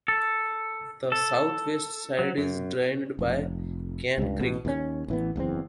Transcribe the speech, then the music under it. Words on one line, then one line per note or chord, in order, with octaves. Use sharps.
The southwest side is drained by Cane Creek.
A4
A4
F#3
F#2
F1
C#2 G2
A1 B2
D#2 D#3 C#4
A1 E3 B3
F#1 E2 B2 C4